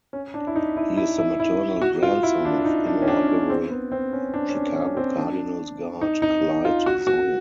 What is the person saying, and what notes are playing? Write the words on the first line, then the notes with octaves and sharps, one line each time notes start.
He is the maternal grandson of inaugural Chicago Cardinals guard Clyde Zoia.
C#4
D4
E4
D#4
E4
E4
E4
E4
F#4
F4
E4
D4
D#4
D4
C#4
D4
C#4
C4
B3
C4
C#4
D4
C#4
D4
C#4
C4
D4
D#4
D#4
F4
F#4
F#4